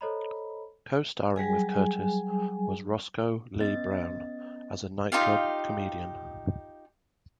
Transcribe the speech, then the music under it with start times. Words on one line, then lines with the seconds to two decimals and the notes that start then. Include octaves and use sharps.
Co-starring with Curtis was Roscoe Lee Browne as a nightclub comedian.
0.01 A4 C5 C#5 D#5 A#5 B5
1.36 F#3 G3 G#4 G#5
3.60 B3 C#4 D#5 A6
5.12 D#4 F4 G4 F5